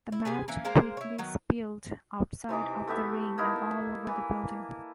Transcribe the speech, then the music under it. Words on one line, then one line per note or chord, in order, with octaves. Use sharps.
The match quickly spilled outside of the ring and all over the building.
E4
C3 G#4 B4 G#5
E3 A#3 C#4
G#3 A#3 C5 A#5
E4 C#5
D#3 F#3 B3
C3 E3 D#4 D6
A3 B3 G4 E5
A#3 D#4 E4 A4
E3